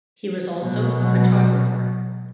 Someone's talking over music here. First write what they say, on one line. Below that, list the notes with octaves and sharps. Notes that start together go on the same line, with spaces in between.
He was also a photographer.
B2 F#3 G#3